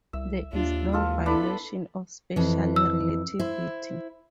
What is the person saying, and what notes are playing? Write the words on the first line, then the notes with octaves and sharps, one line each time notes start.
There is no violation of special relativity.
C2 E5
D#2 D4 F4
E3 G#3 F4 A4
B3 D4 E4 A4 B5
F2 E3
E6
E4 C5